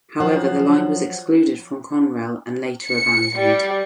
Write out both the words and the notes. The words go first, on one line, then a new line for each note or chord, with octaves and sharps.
However, the line was excluded from Conrail and later abandoned.
F3 F#3 F#5
C#7
G3